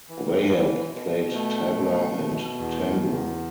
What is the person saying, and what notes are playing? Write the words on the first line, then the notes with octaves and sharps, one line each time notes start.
Wahab played tabla and tambur.
E3
E3
B2
A3
B2
B2
E2
E2